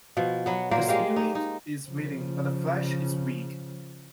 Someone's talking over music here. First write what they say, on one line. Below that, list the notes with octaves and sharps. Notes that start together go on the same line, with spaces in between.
The spirit is willing but the flesh is weak.
B2 F3
F#3 B3
A#2 F#3 A#3 C5
G#3 A#3 G4 F5
D#4
D#4
C#3 F3